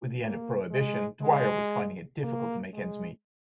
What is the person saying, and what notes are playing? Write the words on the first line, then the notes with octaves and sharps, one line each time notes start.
With the end of Prohibition, Dwyer was finding it difficult to make ends meet.
A#3
G#3
G#3
A#3
G#3